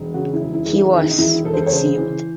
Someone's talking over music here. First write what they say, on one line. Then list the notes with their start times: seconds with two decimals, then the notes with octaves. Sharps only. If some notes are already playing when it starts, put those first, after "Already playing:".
He was, it seemed.
Already playing: E1
0.14 C#3 F#4
0.33 E4
0.41 E1
0.53 E4
0.66 E1
0.73 E4
0.93 D#3 D#4
1.01 E4
1.09 D#4
1.18 E1 E4
1.44 E1 A4
1.54 C5
1.62 A4
1.67 C#5
1.71 C#3 C5
1.97 E3